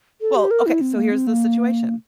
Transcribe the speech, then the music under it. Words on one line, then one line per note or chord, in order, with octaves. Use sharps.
Well, okay, so here's the situation,
A4
G4
A#4
E4
C4
A#3
C4
A#3